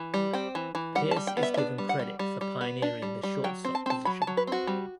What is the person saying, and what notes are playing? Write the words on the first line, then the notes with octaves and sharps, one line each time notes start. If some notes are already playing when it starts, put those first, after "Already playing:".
Pearce is given credit for pioneering the shortstop position.
Already playing: E3
G3
C4 G5
E3
E3
G3 F#5
A5
G3
G5
B3
E5
E5
D4 D5
G3
F#5
G3
G3
G3
B3
D4
G3
G3
F#3 G5
C4
A5
C4 A5
F#3 B5
A5
F#3
B4
C4 F#4
G3